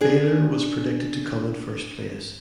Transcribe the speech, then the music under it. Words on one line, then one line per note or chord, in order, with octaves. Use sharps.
Baylor was predicted to come in first place.
D4 G#4